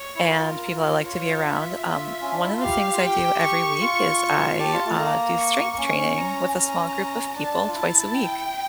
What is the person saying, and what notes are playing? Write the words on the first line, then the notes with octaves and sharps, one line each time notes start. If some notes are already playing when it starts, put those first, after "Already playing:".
and people I like to be around, um, one of the things I do every week is I, uh, do strength training with a small group of people twice a week,
Already playing: C#5
E4
F4 A#4
F4 C#5
E5
F4
C#4
D4
E4
F4
G4 F5
F4
G4 G5
C#6
F4
G4 A5
F4
A3
A#3 A#5
C#6
A#3
C#4 C#6
A#5
C#4 A#5
D4 A5
F4
E4 A5
G5